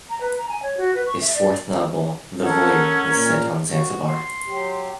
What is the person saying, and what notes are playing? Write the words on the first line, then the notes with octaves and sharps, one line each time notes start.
His fourth novel, "The Voyeur" is set on Zanzibar.
A#5
B4
A#5
G#5
C#5
F#4
B4
C#6
E5
D5
C#4 A4 A#4 F#5
A#2 A#4
F#4
C6
F#3 G4